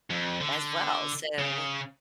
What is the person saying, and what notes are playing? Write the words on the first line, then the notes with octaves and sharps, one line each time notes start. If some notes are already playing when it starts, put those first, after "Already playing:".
as well, so
F2
D3
C#3